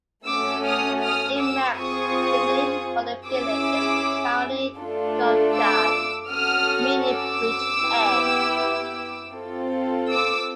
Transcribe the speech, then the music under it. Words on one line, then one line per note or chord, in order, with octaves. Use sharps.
In Manx the name for the village is "Kione Droghad" meaning "bridge end".
A3 C#4 F#4 D6 E6
D#6 F6
D#6 F6
D6 E6
C4 F4 G#4 C#6 D#6
C#4 E4 G#4 D6 E6
A3 D4 F4 A4
D6 E6
C#4 F#4 A4 D#6 F6
D6 E6
B3 E4 G4
C4 F4 A4
D6 E6